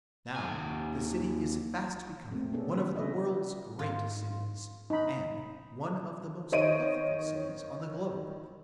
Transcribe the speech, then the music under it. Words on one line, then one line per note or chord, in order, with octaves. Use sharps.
Now the city is fast becoming one of the world's great cities and one of the most healthful cities on the globe.
D#2 G#5
B2 A3 A#3 C4
B3 C#4 D4 G#4 A4
B4
D#5 E5
G#2 F4
D#4 B5
D#3 C5 C#5 D#5 D7 D#7